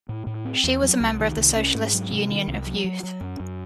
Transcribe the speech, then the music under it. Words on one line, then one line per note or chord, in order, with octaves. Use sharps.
She was a member of the Socialist Union of Youth.
A2
A2
C4
E2
F#3
C2
D#3
C2
C#4
G#2
F#3
C3
D#3
C2
F#3
F#3
F#3
F#2
F#2